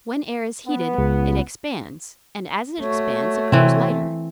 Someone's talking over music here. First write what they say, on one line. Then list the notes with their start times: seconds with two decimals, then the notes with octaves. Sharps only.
When air is heated it expands, and as it expands it grows lighter.
0.67 B3
0.98 C#2
2.82 A3 F#4 C#5
3.52 C3 E3 C4